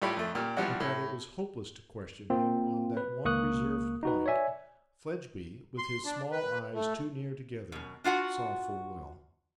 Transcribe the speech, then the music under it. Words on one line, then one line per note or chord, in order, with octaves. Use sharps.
But, that it was hopeless to question him on that one reserved point, Fledgeby, with his small eyes too near together, saw full well.
A2 G3 A3 F4 G5 B5
F2 A3
A#2 G4 F6
E3 F3 G3 B3 D4 F#4
A2
A#3 C4 F4
B4
C#2 A#3 C#6 D#6 F#6
D#4 F#4 B4
C#5 D5 E5 G#5
C6
D4
B4
A3
F#2 B2
D4 F4 F#4 F#5